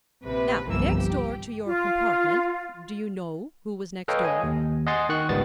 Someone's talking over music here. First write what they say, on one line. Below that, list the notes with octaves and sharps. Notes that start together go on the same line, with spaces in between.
Now next door to your compartment--do you know who was next door?
A#1 C3 B4
G1 C2 E3 F3 A#3 E6
G4
F4
A4 B4 C#5 D#5 F5 G5
D#5 G#5
D#2
D#5 F#5 G#5 C6 A6
D#3 C#6 F#6
G#1 C#2 D#3 G3 B3 A6